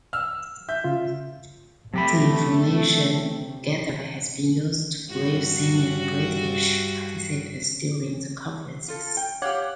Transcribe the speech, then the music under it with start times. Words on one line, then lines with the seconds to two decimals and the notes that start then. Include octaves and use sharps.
The information gathered has been used to brief senior British participants during the conferences.
0.13 E6 F6
0.69 E5 G6
0.84 C#3 F4
1.94 C3 F#3 A3 G4 B5
5.10 G2 F#4
8.88 F4 A4
9.17 G5
9.42 G4 C#5 F5 F#5 D6 G#6